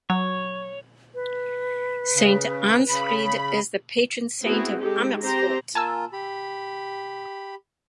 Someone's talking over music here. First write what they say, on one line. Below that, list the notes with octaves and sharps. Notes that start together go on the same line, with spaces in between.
Saint Ansfried is the patron saint of Amersfoort.
F#3 C#5
B4
C#3
C#3 B5
B3 C4 E4 F#4 G#4
G#3 D#4 G4 A4
C4 G4 C5 A#5
A#3 F4 G#5 A5 E6
G4 B5